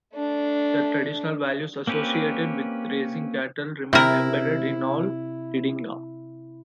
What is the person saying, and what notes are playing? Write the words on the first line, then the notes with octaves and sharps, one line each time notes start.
The traditional values associated with raising cattle remain embedded in all Didinga.
A3 D4
A#3 C4 C#4 G4 B4
C3 E4 A#4